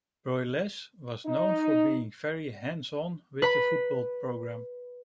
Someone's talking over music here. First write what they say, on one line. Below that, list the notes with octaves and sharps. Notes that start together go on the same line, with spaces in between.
Broyles was known for being very hands-on with the football program.
D#4
B4 B5